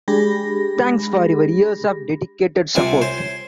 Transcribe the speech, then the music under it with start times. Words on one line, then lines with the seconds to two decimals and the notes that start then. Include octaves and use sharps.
Thanks for your years of dedicated support.
0.08 G#3 D4 G4 G#4 B5 A#6
2.75 C2 C3 F4 G#5
3.02 C5 C#5